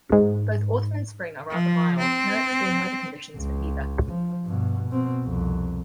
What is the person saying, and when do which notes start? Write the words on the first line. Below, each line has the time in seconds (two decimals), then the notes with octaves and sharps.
Both Autumn and Spring are rather mild, no extreme weather conditions for either.
0.12 G#2
1.50 F3
1.99 C4
3.37 C#2
4.10 F3
4.45 G2 B2
4.89 B2 C4
5.23 C2 F2